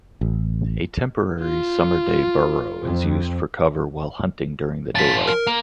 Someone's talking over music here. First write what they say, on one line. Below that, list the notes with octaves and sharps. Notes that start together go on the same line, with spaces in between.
A temporary, summer day burrow is used for cover while hunting during the daylight.
A1
F4
F2
F3 C#4 A6 B6
A#4
A#3